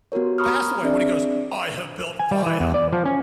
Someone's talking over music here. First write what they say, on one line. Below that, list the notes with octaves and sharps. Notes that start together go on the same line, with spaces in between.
passed away when he goes, "I have built fire."
B3 F#4 G4 A#4 C#5
A#5 B5 C#6 D#6 F6
C4 D4 G#4 D5 E5
G#5
G3
E3
E2
D5
F3
C#4